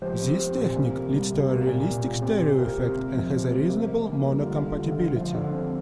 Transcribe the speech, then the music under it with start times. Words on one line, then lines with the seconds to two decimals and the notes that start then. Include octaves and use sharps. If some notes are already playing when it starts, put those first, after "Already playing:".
This technique leads to a realistic stereo effect and has a reasonable mono-compatibility.
0.02 F3 G4 C5
0.21 C4
0.39 C4
0.57 A#2
0.76 A#3
0.94 C3
1.12 G3
1.30 C3
1.49 A#3
1.67 A#2
1.86 A#2
2.04 A#2
2.22 C4 G4 C5
2.40 C3
2.59 C3 F4 A#4
2.78 C3
2.96 C3
3.14 F3
3.32 C3
3.51 F3
3.70 A#3
3.88 A#3
4.05 A#3
4.25 G3
4.42 D3 F4
4.60 D3
4.66 F4
4.79 D3
4.92 F4
4.98 D3
5.16 F3 F4
5.34 D3
5.53 C4